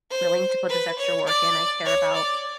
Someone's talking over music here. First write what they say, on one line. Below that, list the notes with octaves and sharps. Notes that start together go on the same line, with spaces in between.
willing to put this extra work in. I care about
C5
B4
C#5
D5
C#5
D5